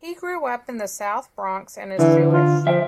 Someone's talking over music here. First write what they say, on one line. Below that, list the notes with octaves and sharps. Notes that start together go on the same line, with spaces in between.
He grew up in the South Bronx, and is Jewish.
D3 E3
F4
F3 E5 G5